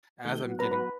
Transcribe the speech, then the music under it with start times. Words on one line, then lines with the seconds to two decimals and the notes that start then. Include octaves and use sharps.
as I'm getting
0.25 D#3 A3 G6
0.45 F#3 B3 F#4
0.59 B4 A#5
0.71 B4